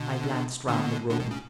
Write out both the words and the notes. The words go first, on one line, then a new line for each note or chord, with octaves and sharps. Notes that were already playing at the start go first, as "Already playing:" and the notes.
I glanced round the room.
Already playing: B2 D3
B2 D3
B2 D3
B2
C#3